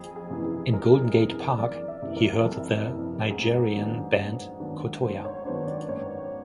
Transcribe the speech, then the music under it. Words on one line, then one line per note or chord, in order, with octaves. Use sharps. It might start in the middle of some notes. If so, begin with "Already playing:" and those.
In Golden Gate Park, he heard the Nigerian band Kotoja.
Already playing: F2 G#4
G#4
C3 E3
G#4
F2 A#4
G#4
C3 E3 G#4
F2 D5
E5
C3 E3
A#4
F2 A4
C3 E3
G#2 G#4
D#3 F#3 B3 D4
G#2
D#3 F#3 B3 D4
G#2 C5
C#5
D#3 F#3 B3 D4 C5
D5
G#2 C#5